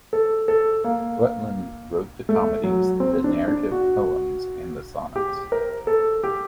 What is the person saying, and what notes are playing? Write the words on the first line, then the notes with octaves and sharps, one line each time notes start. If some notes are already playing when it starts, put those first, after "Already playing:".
Rutland wrote the comedies, the narrative poems and the sonnets.
A4
A4
A#3
A3
F#3
C4
D4
D4
F#4
G4
A#4
A4
G4